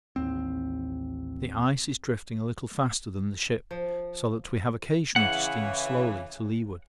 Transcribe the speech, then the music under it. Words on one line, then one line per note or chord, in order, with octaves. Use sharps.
The ice is drifting a little faster than the ship so that we have occasionally to steam slowly to leeward.
A1 D#2 C4
F3
C#3 E3 F#5